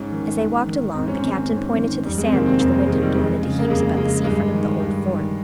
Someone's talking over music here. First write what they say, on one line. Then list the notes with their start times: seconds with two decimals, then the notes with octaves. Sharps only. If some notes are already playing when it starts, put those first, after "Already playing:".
As they walked along the Captain pointed to the sand which the wind had blown into heaps about the sea-front of the old fort.
Already playing: G#2 C#4
0.12 D#3
0.39 G#2
0.68 D#3
0.95 G#2 C4
1.08 C#4
1.19 D#3 C4
1.31 C#4
1.43 C4
1.50 G#2
1.57 C#4
1.68 C4
1.77 D#3
2.05 F2 G3
2.18 G#3
2.26 C4
2.32 C3 D#3 A#3
2.46 C4
2.59 F2 A#3
2.74 G#3
2.88 C3 D#3 G#3
3.02 G3
3.14 F2 G#3
3.43 C#3
3.59 A#3
3.70 F2 G#3
3.97 C#3 G#3
4.24 G2 G#3
4.52 D#3
4.80 G2
5.07 D#3